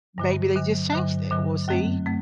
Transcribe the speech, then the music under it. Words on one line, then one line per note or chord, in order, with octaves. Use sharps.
maybe they just changed it, we'll see.
G2 D3 F#3
G2 D3 F#3
G2 D3 F#3
G2 D3 F#3
F#2 F#3 A3 C4
A3 C4